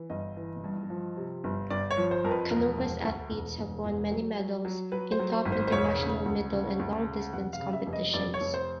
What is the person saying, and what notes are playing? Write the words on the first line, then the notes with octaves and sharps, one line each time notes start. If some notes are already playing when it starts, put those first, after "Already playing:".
Canova's athletes have won many medals in top international middle and long distance competitions.
Already playing: E3
G1 D#5
E3
G2
F3
C3
G1
G1 D5
C#5
F3
C5
F2 A#4
B4
E1 A#4
E1
D2
E1
E1
E1
F#3
F#3
F#3
F#3 B4
C5
F#3
C5
G#1
C5
C5
E1 C#5
C#3
D2
C#3
D2
C#3
F1 F#5
F5
C#3
E5
F1
D#5
F1 D5
C#5
F1
C5